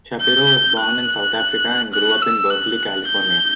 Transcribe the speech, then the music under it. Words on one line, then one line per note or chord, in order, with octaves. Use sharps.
Shapiro was born in South Africa and grew up in Berkeley, California.
G6
F#6
F#6
E6
F#6
G6